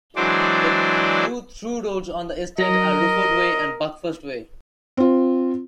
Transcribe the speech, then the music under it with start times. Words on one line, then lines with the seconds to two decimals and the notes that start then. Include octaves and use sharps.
The two through-roads on the estate are Rufford Way and Buckfast Way.
0.16 E3 F#3 G#3 D4 C5 D5
2.58 F#3 A#4 D#5 A#6
4.97 C4 F4